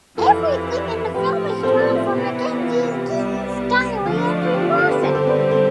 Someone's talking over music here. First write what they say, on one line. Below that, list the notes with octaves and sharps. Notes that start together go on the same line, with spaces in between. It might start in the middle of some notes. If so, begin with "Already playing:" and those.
Everything in the film is drawn from Mackenzie King’s diary and reprocessed.
F2 C3 E3 F4 A4
A2 F3 C4 G4 B4
A4 C5
B4 D5
C5 E5
C3 E3 B3
F4
F4
G4
C2 C3 G3 B3 G4
D3 F3 A3 D4 F4
F4
G4
F4
G4
F4 A4
G4 B4
D3 G3 C4 G4 A4 C5
A4 C5
B4 D5
A4 C5
A4 C5